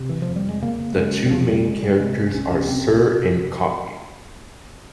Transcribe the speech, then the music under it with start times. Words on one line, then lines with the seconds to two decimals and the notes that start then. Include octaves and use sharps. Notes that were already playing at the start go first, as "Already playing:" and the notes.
The two main characters are Sir and Cocky.
Already playing: C3 C4
0.09 E3
0.22 F3
0.28 F2
0.36 G3
0.49 G#3
0.62 C#3 A#3
0.96 C#3 G#3
1.26 G3
1.31 F2 F3
1.48 G3
1.65 C#3 G#3
1.82 G3
1.99 C3 G#3
2.34 C2 C#4
2.68 C3 C4